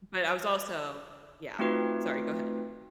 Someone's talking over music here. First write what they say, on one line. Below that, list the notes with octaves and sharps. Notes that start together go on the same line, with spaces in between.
But I was also Yeah, sorry, go ahead.
A3 C4 D#4 F4 F#4 B4